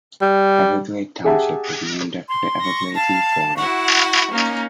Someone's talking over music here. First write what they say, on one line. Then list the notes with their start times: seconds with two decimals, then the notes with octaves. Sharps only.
Everglade Township was named after the Everglades in Florida.
0.21 G3
1.24 G4 G#4 E5 F#5 A5
2.29 C6
2.61 C#6 A#6
2.95 F5 A5
3.57 E4 F#4 F#5 C#6
4.31 A#3 C#4 D#4